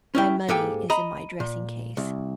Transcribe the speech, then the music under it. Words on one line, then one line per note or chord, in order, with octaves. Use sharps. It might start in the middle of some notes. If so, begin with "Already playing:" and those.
My money is in my dressing-case.
C#4 E4 G5
G#2 A#3 G4 A4 G5 G#5
D#5 A#5 B5
A#2
C2